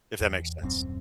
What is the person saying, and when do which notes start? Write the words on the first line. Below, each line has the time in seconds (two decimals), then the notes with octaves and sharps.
if that makes sense.
0.21 E2
0.62 D#1 F#2 C4